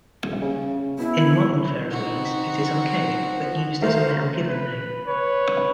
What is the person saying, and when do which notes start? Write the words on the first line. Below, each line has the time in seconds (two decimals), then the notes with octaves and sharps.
In Modern Faroese, it is archaic but used as a male given name.
0.23 D#1
0.42 C#3
0.99 B2 E4
1.87 C4 D#4 F#4
2.99 F3
3.82 A3 F#4 C5 F5 A#5
4.48 B4
5.07 B4 C#5